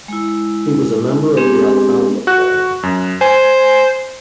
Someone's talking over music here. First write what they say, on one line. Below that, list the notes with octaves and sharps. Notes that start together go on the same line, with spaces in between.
He was a member of the Alfalfa Club.
G#3 E4
G#3 B3 C4 D4 G4 G#4
F#4 F#6
F#2
C5 G#5